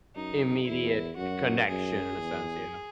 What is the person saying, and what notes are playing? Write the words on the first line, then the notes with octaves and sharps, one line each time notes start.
immediate connection in a sense, yeah.
F#2 D#4
E2 E4
F#2 F#4
F#2 G#4
E2